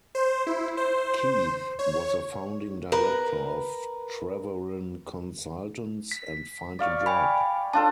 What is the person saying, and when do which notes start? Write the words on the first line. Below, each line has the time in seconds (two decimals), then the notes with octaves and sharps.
Keith was a founding Director of Treweren Consultants and Find-a-Drug.
0.15 C5
0.47 E4
0.77 C5
1.79 C#5
2.92 A#4 B4
6.11 B6
6.79 D5 F5 C#6
7.06 G5 G#5 B5
7.73 D4 F4 A4 A5